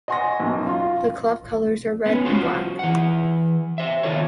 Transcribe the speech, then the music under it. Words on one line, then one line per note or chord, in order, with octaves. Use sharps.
The club colours are red and black.
D#5 F#5 G#5 C6 C#6 A#6
B1 F#2
F4 C6
B3 C#4
F4 F#4 C5
E3 F#5
C5 E5
D#3 F4 A4 C#5